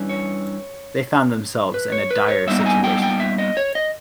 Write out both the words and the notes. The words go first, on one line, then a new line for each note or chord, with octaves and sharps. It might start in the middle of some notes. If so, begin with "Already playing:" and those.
They found themselves in a dire situation.
Already playing: G2 E3 G3 C#4
C#5
B4
C#5
B4
C#5
A#2 G3 B3 D#4 E5
A#5
G#5
G5
G5
E5
D#5
C#5
D#5